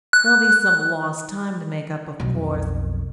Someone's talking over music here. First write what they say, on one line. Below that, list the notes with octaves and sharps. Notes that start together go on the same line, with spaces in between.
There'll be some lost time to make up, of course.
F#6
B1 F2